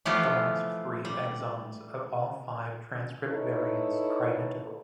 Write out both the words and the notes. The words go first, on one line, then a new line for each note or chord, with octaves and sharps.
The last three exons of all five transcript variants are identical.
E3 F3 A3 B3 F4 G4
G3
D#4 E4 A4 B4 C#5